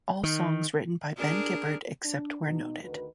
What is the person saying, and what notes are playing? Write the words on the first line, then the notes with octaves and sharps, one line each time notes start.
All songs written by Ben Gibbard except where noted.
D#3
D4 G#4 A#4
D4
B2 D#4
D2 D#3 F#4 B4